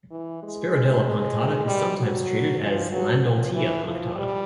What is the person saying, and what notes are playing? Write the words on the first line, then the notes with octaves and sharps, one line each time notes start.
"Spirodela punctata" is sometimes treated as "Landoltia punctata".
E3
G#3
G#3
G3
F#3
F3
F#3
F3
E3
F3
G3